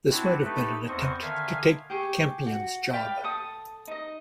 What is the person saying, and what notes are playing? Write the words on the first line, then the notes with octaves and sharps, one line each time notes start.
This might have been an attempt to take Campion's job.
C4 D4 E4 F#4 A5
A3 D#4 G4 A4 B4
E2 C4 C5 D#5 C#6
D3 D#3 E5 F5 G#5
G4 G#4 C#6
F#4
D5 F5 G5 B5
A4 D#6
D#4 D#5